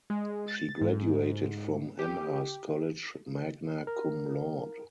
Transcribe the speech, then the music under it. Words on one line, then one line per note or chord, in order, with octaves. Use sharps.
She graduated from Amherst College magna cum laude.
G#3
A6
G#2
G4
A#4